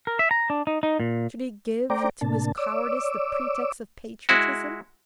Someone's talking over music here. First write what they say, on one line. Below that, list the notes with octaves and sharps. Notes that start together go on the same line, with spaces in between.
Should he give to his cowardice the pretext of patriotism?
A#4
E5
A#5
D4
D#4
D#4
A#2
A3 C5 D5 G5 A#5 D6
A2 C3 A#3 D4 A5
C#5 D5 D6 E6
G#3 E4 F#4